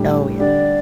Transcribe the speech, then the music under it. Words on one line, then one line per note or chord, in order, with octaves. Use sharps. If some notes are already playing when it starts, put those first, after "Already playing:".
Oh, yeah.
Already playing: A2 G3 D4 G4
D3 G3 D4 G4 D5